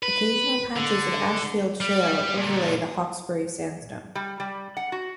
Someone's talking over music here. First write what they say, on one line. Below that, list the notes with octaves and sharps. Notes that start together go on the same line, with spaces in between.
Occasional patches of Ashfield shale overlay the Hawkesbury sandstone.
B4
D3
G3
A#2 D3
G3
G3
F#5
F#4